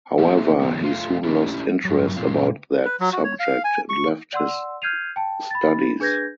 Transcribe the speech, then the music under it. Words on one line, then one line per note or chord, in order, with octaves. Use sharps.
However he soon lost interest about that subject and left his studies.
A3 A#3 C4 E4 G4 C5
D3 E3 F#3 B3
A3 F4 F5
C#4 D4 E4 G4
G2 F#3
E2 A#2 F#3 C4 F4
B4
F#3
F#4
C#5
F5
G#5
C#6
D5 F#5 C6 E6
F6 G6 G#6 C7 D#7 F7
G5 A5
B5 A6
D4 G#4 B4 G6 G#6 A#6